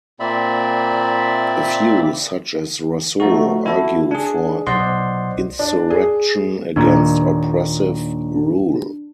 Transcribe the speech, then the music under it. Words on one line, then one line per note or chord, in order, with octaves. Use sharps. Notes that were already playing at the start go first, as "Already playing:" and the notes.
A few, such as Rousseau, argue for insurrection against oppressive rule.
A#2 A#3 C4 D5 E5 B5
F3 A3 D#4 F#4
E4 F#4 A4
D4 G#4
B1 C5 D5 D#5 F#5 C6
D4
G#4
D#2 A#2 D4